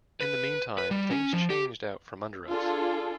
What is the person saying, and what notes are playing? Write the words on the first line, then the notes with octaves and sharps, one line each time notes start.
In the meantime, things changed out from under us.
B4
B4
G3
C#4
F3
G4
D4 F4 G#4 A4